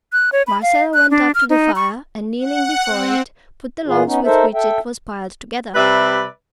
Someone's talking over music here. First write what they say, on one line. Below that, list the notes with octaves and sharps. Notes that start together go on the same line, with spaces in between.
Marcella went up to the fire and, kneeling before it, put the logs with which it was piled together.
F#6
C#5
B5
F5
F#6
D4
F6
D#4
C#6
F#5
C4
A#2 E3 F4 G#4
B3 C#4 D#4
D#4 A4 A#4 C5 E5
A4 E5 G5
C3 G3 B4 D5 E5